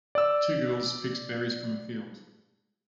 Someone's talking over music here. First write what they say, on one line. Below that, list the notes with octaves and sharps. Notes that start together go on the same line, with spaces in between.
Two girls picks berries from a field.
D5 E6